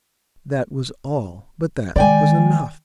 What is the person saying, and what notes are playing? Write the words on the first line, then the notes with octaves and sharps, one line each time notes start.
That was all, but that was enough.
D#3 G#3 D5 G5 G#5